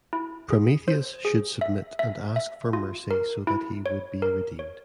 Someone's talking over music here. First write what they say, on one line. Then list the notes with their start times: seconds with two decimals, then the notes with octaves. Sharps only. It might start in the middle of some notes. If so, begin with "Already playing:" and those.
Prometheus should submit and ask for mercy so that he would be redeemed.
0.13 E4
0.50 G#4
0.88 C5
1.25 G#4
1.61 E5
1.99 E5
2.36 E5
2.73 F4
3.11 A#4
3.47 E4
3.86 C#5
4.22 A#4
4.59 C#5